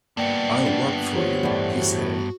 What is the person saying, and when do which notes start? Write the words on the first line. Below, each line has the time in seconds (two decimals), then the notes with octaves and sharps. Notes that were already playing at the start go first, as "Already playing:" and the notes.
"I'll work for you," he said.
0.17 G2 A#3 B3 D5 G5 C#7
0.66 D4
1.15 F4 G4 C5 C#5
1.43 E2 A2 D5
1.74 F#4